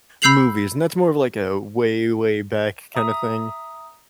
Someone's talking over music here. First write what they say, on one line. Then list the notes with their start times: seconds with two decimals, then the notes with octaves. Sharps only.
movies, and that's more of like a way, way back kind of thing,
0.22 B5 E6 G6 C7 F7 F#7
2.95 E5 A#5 D#6